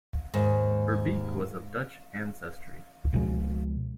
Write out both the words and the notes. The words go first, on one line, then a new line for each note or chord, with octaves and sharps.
Verbeek was of Dutch ancestry.
D#2 G#2
C#2 B2 F3 G#3